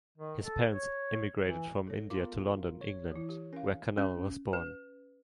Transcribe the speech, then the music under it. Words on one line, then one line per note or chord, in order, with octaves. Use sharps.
His parents emigrated from India to London, England, where Kanal was born.
D#3
A4
C#5
E3
A4 C#5
B3 F4 A#4 C6 D6
C#5
E3 E4
G4
C#4 A#4 F5
C#4
B4